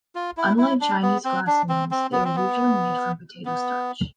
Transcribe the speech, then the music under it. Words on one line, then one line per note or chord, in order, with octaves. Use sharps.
Unlike Chinese glass noodles, they are usually made from potato starch.
F4
E4
E4
D4
B3
C4
D4
C4
C4
B3
C4
B3
B3